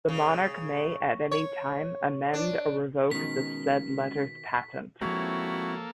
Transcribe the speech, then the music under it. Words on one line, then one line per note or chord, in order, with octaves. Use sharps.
The monarch may at any time amend or revoke the said letters patent.
C#3
C#5
D4
B2 D#3 G#3 C#4 B6
F3 G#3 A#3 C4 E4 F#4 A4 C#5